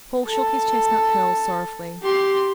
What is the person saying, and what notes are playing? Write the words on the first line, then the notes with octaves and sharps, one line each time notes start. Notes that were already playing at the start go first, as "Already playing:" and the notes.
Paul shook his chestnut curls sorrowfully.
A4
G4 C6